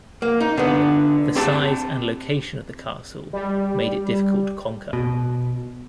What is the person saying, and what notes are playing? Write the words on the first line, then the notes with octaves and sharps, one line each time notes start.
The size and location of the castle made it difficult to conquer.
A#3
D#4
D3 B3
C4 G4 A5
G3
B2